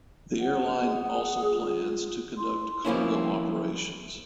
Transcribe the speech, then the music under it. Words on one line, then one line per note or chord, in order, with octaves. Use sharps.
The airline also plans to conduct cargo operations.
F#5
G#4
F4
E4 C6
F3 A#3 C#4 E4